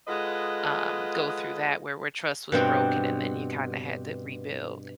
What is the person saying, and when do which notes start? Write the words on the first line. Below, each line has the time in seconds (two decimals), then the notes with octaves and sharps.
um, go through that where where trust was broken and then you kinda had to rebuild?
0.08 G#3 F4 A4 B4 D#5 F#5
2.52 G2 B2 C4